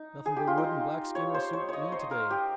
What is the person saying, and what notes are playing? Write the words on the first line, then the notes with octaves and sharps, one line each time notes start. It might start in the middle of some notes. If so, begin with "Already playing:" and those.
"Nothing but wood and black skin will suit me to-day!"
Already playing: D#4
G#4
G4
F4
D#4
C#5
C5
C#5
C#5 D#5
C5
A#4
G4